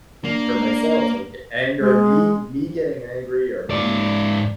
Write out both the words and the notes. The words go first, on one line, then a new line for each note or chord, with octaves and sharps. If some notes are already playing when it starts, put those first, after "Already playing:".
for myself, like, a anger me eh me getting angry, or me
A#3 D4
G#3
G#2 D5